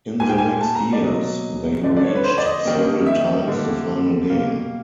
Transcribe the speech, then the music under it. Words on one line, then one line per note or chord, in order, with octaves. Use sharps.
In the next years, they reached several times the final game.
A#2 G3 A#3 G#5
G5
G#5
A5
A#5
D5
B2 F#3 A#3 D#5
D3 F3 A3 D5
D5
C#5
B4
C5
C#5
D5
D#5
D#3 G3 A#3
E5
D3 G3 A#3
B2 G3 A#3 F5